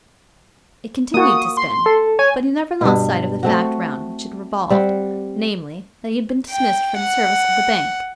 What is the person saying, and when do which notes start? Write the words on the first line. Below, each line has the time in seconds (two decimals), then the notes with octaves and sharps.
It continued to spin; but he never lost sight of the fact round which it revolved, namely, that he had been dismissed from the service of the bank.
1.14 A#3 F#4 D#6
1.57 C6
1.86 A4
2.19 C#5 G#5
2.81 G2 B2
3.43 A3 C4 F#4
4.70 G3 C4 F#5
6.51 G5
6.99 F#5